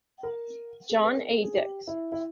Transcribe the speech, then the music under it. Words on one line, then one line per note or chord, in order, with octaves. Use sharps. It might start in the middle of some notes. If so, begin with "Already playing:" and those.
John A. Dix.
A#4
G#4
B4
A#4
A4
G#4
G4
E4
E4